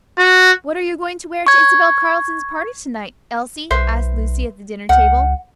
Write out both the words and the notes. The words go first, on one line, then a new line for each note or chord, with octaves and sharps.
"What are you going to wear to Isabel Carleton's party, to-night, Elsie?" asked Lucy, at the dinner table.
F#4
C#6 G#6
B1 B4 C5 E5
C#2 F#5